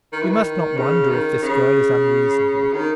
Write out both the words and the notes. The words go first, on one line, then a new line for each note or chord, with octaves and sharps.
You must not wonder if this girl is unreasonable.
D#3
E3
D#3
C#3
D#3
C#3
D#3